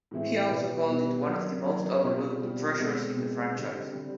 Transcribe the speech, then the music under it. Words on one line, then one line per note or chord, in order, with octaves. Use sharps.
He also called it one of the most overlooked treasures in the franchise.
A2 E3 G#3 C4 E4
B2 G3 B3
B2 G3 B3
F#3 A#3 D4
F#3 A#3 D4
B2 G3 C4 F4
B2 G3 C4 F4
B2 G#3 C4
B2 G#3 C4
D3 G3 C4
D3 G3 C4